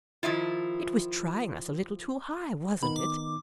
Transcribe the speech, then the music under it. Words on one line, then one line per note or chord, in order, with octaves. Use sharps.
It was trying us a little too high, wasn't it?
D#3 F3 E4 F4
D#3 B3 D#4 B5
D6